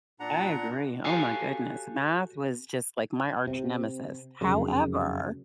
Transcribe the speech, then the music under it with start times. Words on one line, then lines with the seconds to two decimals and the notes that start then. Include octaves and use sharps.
I agree, oh my goodness. Math was just like my arch-nemesis. However
0.20 A#2 D4 F#5 A#5
1.05 F#4 G4 A4 C#5 F5 G#5
3.47 C3
4.41 F1 F#2 C#3